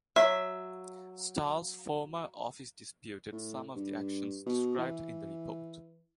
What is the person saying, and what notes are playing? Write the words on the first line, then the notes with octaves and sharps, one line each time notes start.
Stull’s former office disputed some of the actions described in the report.
F#3 E5
A2
G2
B2
E3